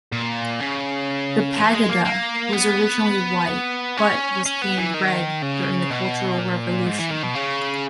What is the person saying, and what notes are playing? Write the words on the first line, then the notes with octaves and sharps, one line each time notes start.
The Pagoda was originally white, but was painted red during the cultural revolution.
A#2
C#3
E3
G#3
A#3
A#3
B3
C#4
C#4
B3
E3
D#3
C#3
B2
A#2
G#2
E3
D#3
B2
C#3